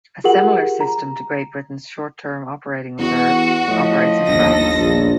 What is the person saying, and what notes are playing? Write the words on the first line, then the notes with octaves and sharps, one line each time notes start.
A similar system to Great Britain's Short Term Operating Reserve operates in France.
F4 G4 G#4 A#4 F#5 F#7
A#5
E2 F#4
A2 F3 D#5
G1 D#2 A4 A#6
A#1